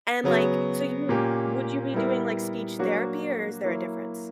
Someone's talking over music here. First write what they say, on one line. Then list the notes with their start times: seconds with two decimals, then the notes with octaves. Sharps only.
and, like, so you would would you be doing, like, speech therapy, or is there a difference?
0.24 C#3 F#3 B3 F#4
1.09 A#2 A#3 C#4 G4
1.94 G3 B3 E4 A#4
2.79 F#3 A#3 D4 F#4
3.64 F#3 A#3 E4